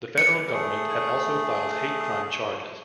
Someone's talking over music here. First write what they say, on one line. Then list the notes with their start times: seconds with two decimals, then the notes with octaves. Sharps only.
The federal government had also filed hate crime charges.
0.18 C#7
0.53 A3 G#4